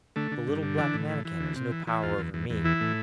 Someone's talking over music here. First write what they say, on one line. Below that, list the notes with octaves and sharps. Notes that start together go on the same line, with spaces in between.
The little black Mannikin has no power over me.'
D3 A3
D3
G2
D3
E3 D4
A2
E3
E3
D2
C3
E3
E3
E2 F4
E2
E2
E2
E3 E4
A2